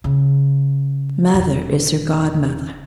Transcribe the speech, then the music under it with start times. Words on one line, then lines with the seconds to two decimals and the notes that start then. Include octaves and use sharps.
Mother is her godmothah.
0.04 C#3
1.34 E1